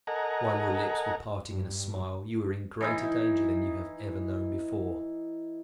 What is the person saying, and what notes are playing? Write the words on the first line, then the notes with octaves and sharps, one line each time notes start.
While your lips were parting in a smile, you were in greater danger than you have ever known before.
A4 A#4 D#5 F#5 G#5 A#5
G2
E3 D#4 E4